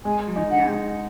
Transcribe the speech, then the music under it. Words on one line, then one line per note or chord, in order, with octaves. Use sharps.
Mm, yeah.
G#3 G#5
D#4
F#5
G#3